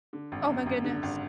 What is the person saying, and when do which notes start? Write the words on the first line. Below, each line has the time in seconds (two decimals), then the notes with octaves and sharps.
Oh my goodness.
0.13 D3
0.32 G#1
0.49 F#2
0.66 G#1
0.84 D3
1.03 G#1